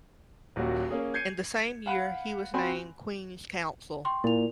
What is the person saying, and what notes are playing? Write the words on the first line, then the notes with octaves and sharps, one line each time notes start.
In the same year, he was named Queen's Counsel.
D#1 D#2 F#3 F#4
A#3 C#4 G#4
G6 G#6 C7 C#7 D#7
F5 F#5 B5 F#6
C4 F#4 G5 G#5 B5 C6
G5 C6 C#6
A#2 E4 F7